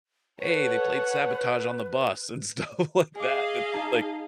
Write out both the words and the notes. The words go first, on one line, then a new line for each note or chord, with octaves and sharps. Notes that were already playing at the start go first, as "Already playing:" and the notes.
"Hey, they played Sabotage on the bus," and stuff like that, and, like,
A4 B4 C#5 F#5
G#4 D#5 F5 G#5 D6
D#4 A5 A#5